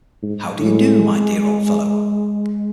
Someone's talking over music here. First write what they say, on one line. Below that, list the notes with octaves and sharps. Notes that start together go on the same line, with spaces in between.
How do you do, my dear old fellow?
G#2
A2 G#3